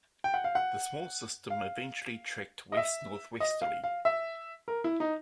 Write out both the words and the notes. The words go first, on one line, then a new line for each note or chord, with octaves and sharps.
The small system eventually trekked west-northwesterly.
G5
F#5
F5
F#5
F5
D#5
E5
D#5
F5
F5
E5
A#4
E4
D#4